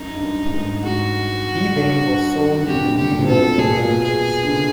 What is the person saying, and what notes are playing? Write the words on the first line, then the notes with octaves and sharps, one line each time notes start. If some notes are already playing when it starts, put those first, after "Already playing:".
He then was sold to the New York Americans.
Already playing: F#2 D#4
G2
F#2
G2
G#2
G#2 F#4
G2
G2
F#2
F2 G4
G2
F#2
G4
B2
A#2
B2 A4
C3
B2 G#4
A#2
B2
G#4
D3
C#3